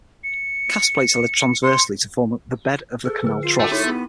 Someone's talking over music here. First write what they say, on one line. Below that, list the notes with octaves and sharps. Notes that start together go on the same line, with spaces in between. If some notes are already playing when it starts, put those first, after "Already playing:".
Cast plates are laid transversely to form the bed of the canal trough.
C#7
C6 C#7
G#4 A4
D3 G#4
F4 C7
A3 F#4 G5
D#4 E4 C#5 D#7
B3